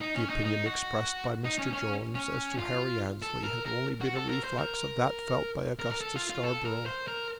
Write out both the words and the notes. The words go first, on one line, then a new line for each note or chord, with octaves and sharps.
The opinion expressed by Mr. Jones as to Harry Annesley had only been a reflex of that felt by Augustus Scarborough.
D#4
C#4
D#4
D#4
F#4
D#4
C#4
C#4
C#4
F4
A4
A#4
A#4
F#4
A4
A#4
C5
A#4
A#4
A#4
A4
F4
F4
A4
A#4
C5
A#4